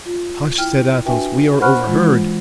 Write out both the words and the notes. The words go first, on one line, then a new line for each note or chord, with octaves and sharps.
"Hush!" said Athos, "we are overheard."
F4
E4 G5 F6
D4 F#4 B4 E5 G5 G#5
C5 F#5 B5 C#6 F6 F#6
E3 G#3 F4